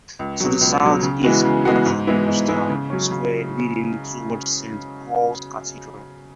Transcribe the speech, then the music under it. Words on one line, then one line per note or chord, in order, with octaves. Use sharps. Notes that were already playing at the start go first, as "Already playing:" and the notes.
To the south is Paternoster Square leading towards Saint Paul's Cathedral.
C#2
B2 F#3
C#2
B2 F#3
C#3
E3 G#3 B3 F#4
C#3
E3 G#3 B3 F#4
G#2
E3 G#3 B3 E4
G#2
E3 G#3 B3 E4
C#3
F#3 C#4
C#3